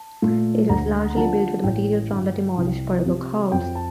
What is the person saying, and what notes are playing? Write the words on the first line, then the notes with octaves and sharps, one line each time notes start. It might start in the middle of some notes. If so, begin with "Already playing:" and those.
It was largely built with material from the demolished Purbrook house.
Already playing: A5
A#2 A3
D2 A#5
D3 F3 A5
A1 G5
G2 D3
C2
C3 F3
F2 G5
A5